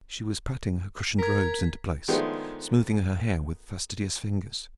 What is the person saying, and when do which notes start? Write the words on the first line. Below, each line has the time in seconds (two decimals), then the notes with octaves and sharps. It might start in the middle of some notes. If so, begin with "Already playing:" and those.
She was patting her crushed robes into place, smoothing her hair with fastidious fingers.
1.19 A#4 G#6 B6
2.08 D#3 F3 G#3 A3 B3 D4